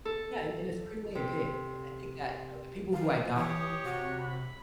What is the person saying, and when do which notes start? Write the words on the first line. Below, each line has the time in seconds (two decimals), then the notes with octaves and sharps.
Yeah, in in a certain way it did, and I think that, you know, the people who I got
0.05 A4
1.15 C3
2.93 F3 F5
3.36 E3 G4 C#5 D#6
3.84 C3 F#4
4.20 B5